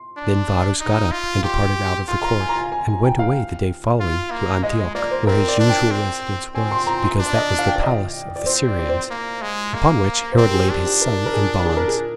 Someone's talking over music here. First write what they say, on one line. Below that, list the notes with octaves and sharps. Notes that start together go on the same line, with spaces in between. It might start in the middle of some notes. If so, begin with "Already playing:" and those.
Then Varus got up, and departed out of the court, and went away the day following to Antioch, where his usual residence was, because that was the palace of the Syrians; upon which Herod laid his son in bonds.
Already playing: C6
D4
D#4
F4
G4 C6
F4 C6
A#5
G#5
A#5
G#5
G#5
G#5
G5
F5
F4
A#3
G#3 D#5
D#5
A#3 D5
C5
C4 A#4
D5
D4
G5
C4
C4 G#5
C6
A#5
C6
D4
D5
D#5
F5
G5
D5
D#5
D5
C4 C5
D5
D5
C5
A#3
G#3
A#3
C5
C4 A#4
G4
G#4
D4 G4
G4
A#4
A#4
G#4
G#4
A#4
G#4